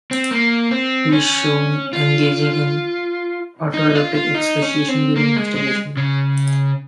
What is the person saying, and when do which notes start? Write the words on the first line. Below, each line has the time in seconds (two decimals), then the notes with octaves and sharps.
He is shown engaging in autoerotic asphyxiation during masturbation.
0.11 C4
0.31 A#3
0.71 C4
1.12 C#4
1.93 F4
3.74 D#4
3.90 D#4
3.95 F4
4.15 F4
4.35 D#4
4.62 C#4
4.88 C4
5.16 A#3
5.36 G#3
5.56 G#3
5.97 C#3